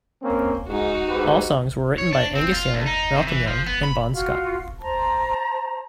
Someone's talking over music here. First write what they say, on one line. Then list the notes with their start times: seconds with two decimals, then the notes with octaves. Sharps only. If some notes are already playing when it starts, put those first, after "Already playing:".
All songs were written by Angus Young, Malcolm Young and Bon Scott.
0.22 A#3 C4 C#4
0.68 G#2 D#4 F#4
1.08 G#2 G4 B4
1.98 C#5
2.13 D4
2.35 C4
2.52 F4
2.74 D2
2.86 D#4
3.16 C3
3.27 E3
3.47 F3
3.66 B3
3.83 B5
4.12 F4 F#4
4.80 C5 A5 A#5